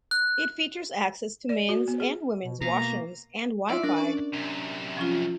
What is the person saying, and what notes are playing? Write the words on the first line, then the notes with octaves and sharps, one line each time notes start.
It features access to men's and women's washrooms and Wi-Fi.
F#6
D5
F#4
B3
G#4
B2
B2 A#3 A#5
F4 D5 E5
D4 A#4
C#4
F#2 C3
F3 C#4 F4